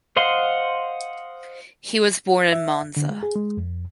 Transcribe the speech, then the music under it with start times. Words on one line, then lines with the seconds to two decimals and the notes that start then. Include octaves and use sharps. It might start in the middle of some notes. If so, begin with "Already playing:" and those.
He was born in Monza.
0.16 C5 D#5 F5 F#5 C6
2.53 E5
2.97 D3
3.10 G#3
3.23 G#4
3.35 G#3
3.57 F2